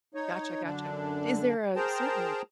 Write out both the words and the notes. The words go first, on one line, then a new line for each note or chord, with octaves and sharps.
Gotcha, gotcha. Is there a certain
D#4 C#5
F#2 D3 D4
G#4 A#4 C5 G5 A5 A#5